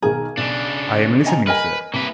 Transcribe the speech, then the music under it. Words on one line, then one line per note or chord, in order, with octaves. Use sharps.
"I am listening, sir."
B1 D#3 G#4 A#4
B1 C#3 D4
D#5 G#5 A#5
A#4 B4 D#5 G#5
C2 A#3 B4